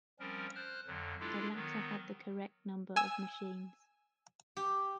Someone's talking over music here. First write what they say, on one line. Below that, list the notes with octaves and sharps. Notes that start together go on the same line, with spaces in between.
The latter had the correct number of machines.
F3 G3 C4 C#4 A#4
C5 F6 F#6
F2 D3 F#3
G#3 D4 E4 F4 G4 A4
D#3 F#3 B3
G#5 E6
G4